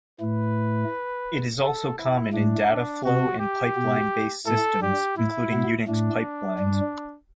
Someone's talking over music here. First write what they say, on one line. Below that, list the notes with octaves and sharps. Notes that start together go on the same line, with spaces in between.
It is also common in dataflow and pipeline-based systems, including Unix pipelines.
A2 A3 B4
A4
E4
A2 A3 D4
D4
C3 C4 F#4
G4
B2 B3
A2 A3 A4
G2 G3 G4
A2 A3 E4
B2 B3
A2 A3 D4
G2 G3